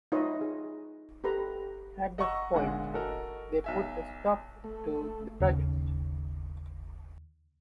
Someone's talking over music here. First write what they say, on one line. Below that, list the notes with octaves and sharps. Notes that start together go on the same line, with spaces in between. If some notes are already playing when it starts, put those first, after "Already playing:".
At that point, they put a stop to the project.
D#4 F4 B4 C#5 D#5 E5
G#4
G4 A4 B4 A#5
D#5 F#5 A#5 C#6 D6 E6
B1 A#2 D3 G#3 F#5 G#5
F#4 A4 A#4 D#5
B1 E5 G#5
A3
D#2 C#3